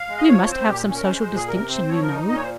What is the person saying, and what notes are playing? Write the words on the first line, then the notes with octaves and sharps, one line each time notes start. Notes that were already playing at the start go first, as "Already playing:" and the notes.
"We must have some social distinction, you know."
Already playing: F5
G#3
D#5
F3 C#5
C4 C5
A#2 G4
C#4
A#4
G#3 C5
C5
A#2
G#4
C3 A#4
C4 C5
F3 C#5
A#4
D#4
A#2 D#5
C#5
C5